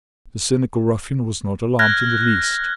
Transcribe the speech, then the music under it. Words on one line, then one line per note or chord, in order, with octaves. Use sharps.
The cynical ruffian was not alarmed in the least.
F6 F#6 G#6 A#6